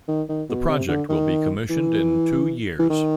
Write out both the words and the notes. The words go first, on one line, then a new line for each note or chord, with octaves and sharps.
The project will be commissioned in two years.
D#3
D#3
B2
C3
D3
D#3
E3
E3
D#3